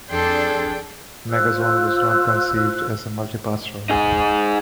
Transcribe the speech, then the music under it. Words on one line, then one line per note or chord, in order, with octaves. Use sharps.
"Megazone" was not conceived as a multi-part story.
F2 D4 G#4 A4 G5 C6
F4 C5 E6 F#6
D#4 G#4